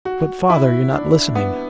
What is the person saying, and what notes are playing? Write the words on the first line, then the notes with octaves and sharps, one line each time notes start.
'But, father, you're not listening.
F#4
E4
D4
B3